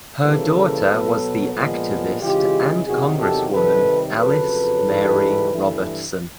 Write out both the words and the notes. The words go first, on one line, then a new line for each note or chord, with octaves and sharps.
Her daughter was the activist and Congresswoman Alice Mary Robertson.
C#3 E3 G3 A#3 A4 B4
B2 F#3 B3
A#2 F3 G#3 B3
C#3 E3 G#3 F4 G4
E2 C3 D#3 F#3 F#4 G#4
G4 A4
C3 D#3 G3 A4 B4
F2 C#3 F#3 A4 B4
G#2 E3 G3
G2 E3 A3